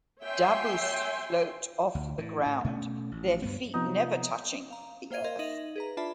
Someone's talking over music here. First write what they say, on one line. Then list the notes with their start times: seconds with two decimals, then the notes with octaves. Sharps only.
Dabus float off the ground, their feet never touching the earth.
0.21 C#5 E5 G5 G#5 C6
1.95 D2
2.18 A2 E3
2.46 A2
2.64 B2 A3 C#4
3.12 A1
3.42 D2 G2 A3 B3
3.74 C3 F3 B3 D#4
4.70 F5 A#5
5.11 A#3 C5 F5 G#6 D#7
5.24 A#4 D#5 F5 C6 G#6
5.39 D#4 D#5 E5 A#6 D#7 F#7
5.76 G#4 B4 A#5
5.97 D4 F4 D5 E5 A5 B5